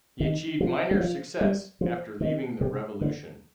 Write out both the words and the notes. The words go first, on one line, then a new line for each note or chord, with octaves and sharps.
He achieved minor success after leaving The Revolution.
D#3
F3
G3
F3
G3
F3
D#3
C3
D3